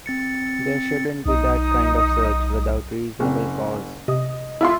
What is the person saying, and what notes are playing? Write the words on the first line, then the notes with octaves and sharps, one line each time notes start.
There shouldn't be that kind of search without reasonable cause.
C4 A6 C#7
B1 D#4 D#6
F#1 C#3 C4
C3 D#5 D#6
E4 F4 C6